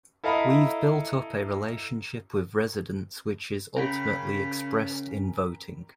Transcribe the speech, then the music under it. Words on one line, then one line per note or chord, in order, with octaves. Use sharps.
We've built up a relationship with residents which is ultimately expressed in voting.
E4 A4 D#5 F5 A#5 B5
C#3 C#4 A#4 G5 B5